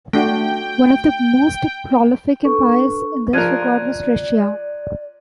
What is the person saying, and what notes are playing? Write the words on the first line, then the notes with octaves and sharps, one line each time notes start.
One of the most prolific empires in this regard was Russia.
A3 D4 F#4 G5
D4 A4 B4 C#6
F3 A#4 D5 F#6 G#6 D#7